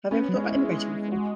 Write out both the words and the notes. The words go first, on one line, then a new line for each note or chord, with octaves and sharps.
Have you ever thought about emigrating before?
B3 C#4
F#3
G#3 C#4
E4
C#4
E4
F#4